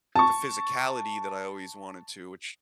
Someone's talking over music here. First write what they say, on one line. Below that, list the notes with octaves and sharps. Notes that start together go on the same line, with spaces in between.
the physicality that I always wanted to- which,
A5 C#6